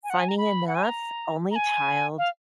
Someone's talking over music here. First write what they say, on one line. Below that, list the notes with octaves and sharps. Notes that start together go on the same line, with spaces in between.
Funny enough, only child,
G#5
F#5
G#5
A#5
B5
F#5
G#5
A#5
A#5
G#5
F5